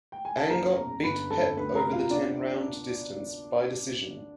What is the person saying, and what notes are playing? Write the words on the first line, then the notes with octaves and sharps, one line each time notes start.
Angott beat Pep over the ten round distance, by decision.
G5
G#5
A5
F#1 A#4 A#5
E2
G1 B4 B5
F2 A4 A5
D2 B4 B5
A#4 A#5
C3
F4 F5
B3 D4 D5